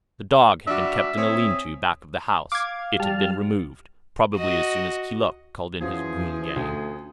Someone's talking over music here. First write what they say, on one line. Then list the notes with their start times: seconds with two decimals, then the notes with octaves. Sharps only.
The dog had been kept in a lean-to back of the house; it had been removed, probably as soon as Keeluk called in his goon-gang.
0.67 G3 D4 F#4 E5
1.17 C4 G#4 C#5
2.52 F5 D6 G#6
3.00 G3 G4 A5 F6
4.36 F#4 D#5
5.81 E3 F3 C#4 F4 F#4 G#4
6.56 D2 A3